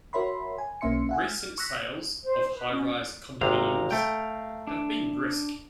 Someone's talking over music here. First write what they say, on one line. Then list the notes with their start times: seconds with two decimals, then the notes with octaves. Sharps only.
Recent sales of high-rise condominiums have been brisk.
0.13 F#4 A#4 C#5 E5 B5 C6
0.58 G#5
0.81 B1 A#3 C#4 E5 C6 C#7
1.09 E5 F#5 G#5
1.26 F6
1.58 C#6 E6 F#6 A#6 B6
2.24 C5
2.54 B4
2.70 C#4
3.41 G#1 C3 F5 A#5
3.91 A3 G5
4.67 D4